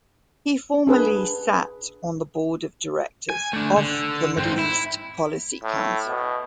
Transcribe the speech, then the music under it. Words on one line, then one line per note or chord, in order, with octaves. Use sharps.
He formerly sat on the Board of Directors of the Middle East Policy Council.
D4 G#4 B4
G#5
A3 D4
D3
G#2 C4
E4
A2
B2